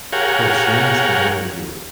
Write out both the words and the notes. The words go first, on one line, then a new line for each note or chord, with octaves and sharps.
Crocheting is competitive field.
G4 G#4 A#4 C#5 F5 F#5